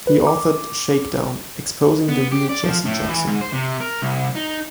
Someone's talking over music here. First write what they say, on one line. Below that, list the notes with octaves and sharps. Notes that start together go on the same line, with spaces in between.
He authored Shakedown: Exposing the Real Jesse Jackson.
B4
D6
B3
G4
D5
F3
A2
E3
G#2
C5
C3
A#4
C2
D#4